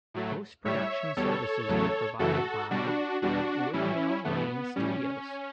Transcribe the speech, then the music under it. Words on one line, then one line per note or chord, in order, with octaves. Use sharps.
Postproduction services were provided by Windmill Lane Studios.
A2 F#3 A3
A2 G3 C#5 E5
E2 B2 G3 A4 C#5
E2 C#3 F#3 A3
F#2 C#3 E3 A3 F#4 A4
B2 G3 D4 F#4
E2 B2 G3 D4 F#4
A2 E3 G3 C#4 E4
G2 E3 A3 B3
A2 G3 C#4